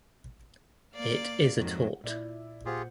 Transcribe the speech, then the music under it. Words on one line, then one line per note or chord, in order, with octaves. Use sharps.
It is a tort.
A#3 D5 F5
F2 G#2 D#3 F#3
A#2 E4 D5 E5
A#2 F4 G4 G#4 C5 F#5